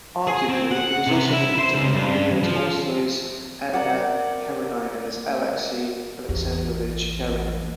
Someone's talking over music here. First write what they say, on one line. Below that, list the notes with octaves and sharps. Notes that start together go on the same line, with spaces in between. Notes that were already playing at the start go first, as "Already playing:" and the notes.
Arguably he was also depicted in Leo Tolstoy's "Anna Karenina" as Alexei Alexandrovich Karenin.
G#4
C4
F#5
C3
E4
C5
C#2
G2
F3
A#4 D5 F#5
A1 E2